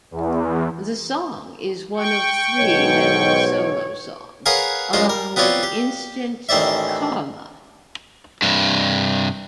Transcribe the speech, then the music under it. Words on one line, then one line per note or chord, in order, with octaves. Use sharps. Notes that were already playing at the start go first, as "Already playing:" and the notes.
The song is one of three Lennon solo songs, along with Instant Karma!
E2
G5 C#6
B1 G#2 B2 C#5
G#4 A#4 B4 C#5 F5 F#5
F#2 G#3 F4 C5
A#4
B3 C4 F4 C#5 D5
G4
A1 D#3 C5 D5 E5
G2 C3